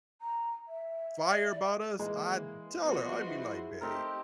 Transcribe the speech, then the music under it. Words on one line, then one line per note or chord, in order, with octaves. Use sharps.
fire about us, I'd tell her, I'd be like, "Babe,
A#5
E5
D5
E3 G#3 A#3
F3 B3 F#4 C6
E4
A3 C4 D#4 G4 A4 A#4